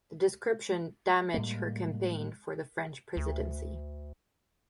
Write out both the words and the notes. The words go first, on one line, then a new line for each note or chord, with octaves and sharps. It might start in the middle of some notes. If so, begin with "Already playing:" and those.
The description damaged her campaign for the French presidency.
A2 G3 G#3 A#3
D2